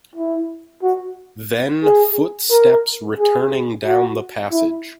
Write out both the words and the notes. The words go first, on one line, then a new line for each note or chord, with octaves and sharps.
Then footsteps returning down the passage.
E4
F#4
G#4
A#4
G#4
F#4
E4